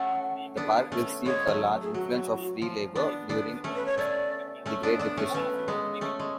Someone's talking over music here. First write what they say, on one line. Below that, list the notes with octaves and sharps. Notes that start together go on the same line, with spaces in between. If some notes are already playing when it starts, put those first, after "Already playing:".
The park received a large influx of free labor during the Great Depression.
Already playing: A3 C#4 F#5
B3 D4
A3 C#4
G#3 B3 C#5
F#3 A3
G#4
F#3 F#4
F3
B3 D4
B3 D4
A3 C#4
B4
C#5
A3 C#4 D5
A3 C#4
B3 D4
B3 D4
A3 C#4
A3 C#4 B4
G#3 B3
A3 C#4
G#3